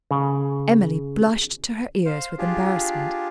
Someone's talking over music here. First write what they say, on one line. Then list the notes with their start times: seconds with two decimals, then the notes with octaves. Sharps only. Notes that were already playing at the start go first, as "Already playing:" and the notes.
Emily blushed to her ears with embarrassment.
0.11 C#3 G#5
2.06 C5 F5
2.38 D4 F4 G4 G#4